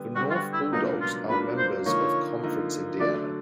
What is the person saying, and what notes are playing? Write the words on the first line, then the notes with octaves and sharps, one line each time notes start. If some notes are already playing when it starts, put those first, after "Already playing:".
The North Bull Dogs are members of Conference Indiana.
Already playing: D3 G3 B3
D3 G3 B3 F#4
F4
F#4
E4
C#2 B2 F#3 A#3 D4 D#4
F4
C#2 B2 F#3 A#3 D4 B4
C5
D3 F3 A#3 D#4 C#5
D3 F3 A#3 D#4
D3 F#3 A3 D4 F#4 D5